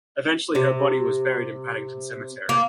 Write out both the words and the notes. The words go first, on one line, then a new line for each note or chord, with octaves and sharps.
Eventually her body was buried in Paddington cemetery.
C3
A#3